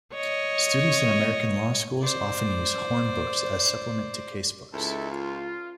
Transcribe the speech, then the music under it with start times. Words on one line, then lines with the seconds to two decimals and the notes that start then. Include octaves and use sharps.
Students in American law schools often use hornbooks as supplements to casebooks.
0.13 C#5 D#5
2.01 C5 D5
4.73 C#2 D#4 E4 A4
5.10 F4